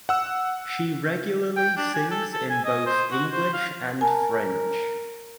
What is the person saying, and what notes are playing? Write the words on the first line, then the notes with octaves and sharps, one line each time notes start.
She regularly sings in both English and French.
F#5 E6
G5
D4
G#5
A4
A4
G#5
D#5
C5
F#4
C5
F5
A#4 G#5 A5